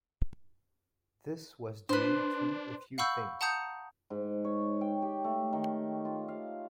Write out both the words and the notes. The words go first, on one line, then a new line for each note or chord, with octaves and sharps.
This was due to a few things.
D4 B4 C5
F5 F#5 B5 C#6 E6 G6
F#5 A5 A#5 D#6 G6 C#7
G#2
C#5
G5
G4
A3
D#3
F4
F5